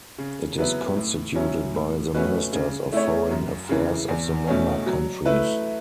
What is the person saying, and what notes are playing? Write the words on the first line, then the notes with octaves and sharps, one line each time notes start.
It is constituted by the Ministers of Foreign Affairs of the member countries.
C#3
F#3 B3 E4 B4
A2
F#3 C#4 E4
A2
A3 C#4 F#4 B4
C#3
A3 E4 C#5
F#2
C#3 E3
E2
B2 A3 C#4
F#3
A3 E4 B4